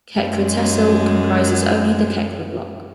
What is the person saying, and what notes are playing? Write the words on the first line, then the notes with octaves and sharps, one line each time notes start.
Khekra tehsil comprises only the Khekra block.
F#2 G#3